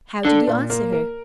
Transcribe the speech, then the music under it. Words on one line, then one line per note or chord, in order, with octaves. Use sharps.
How did he answer her?
D3 D4
A#2
A#3
A#4